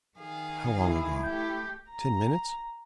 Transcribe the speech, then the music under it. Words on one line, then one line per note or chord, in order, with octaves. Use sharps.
How long ago? Ten minutes?
D#3 G#4 F5
E4
A3 G4 G6
A#5